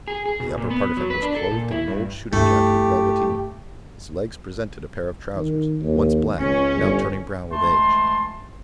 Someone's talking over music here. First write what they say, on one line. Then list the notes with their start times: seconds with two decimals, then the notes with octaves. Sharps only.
The upper part of him was clothed in an old shooting jacket of velveteen; his legs presented a pair of trousers, once black, now turning brown with age.
0.08 G#4
0.26 G#4
0.40 B2
0.57 A#2
0.70 B3
0.97 F#3
1.10 B4
1.22 D4
1.36 A4
1.52 A#2
1.71 E4
1.88 G2
2.33 G2 A3 E4 G4
5.36 D#3
5.82 D#2
6.40 C#2 C#4
6.76 G1
7.51 E3 G#3 A3 A5 C6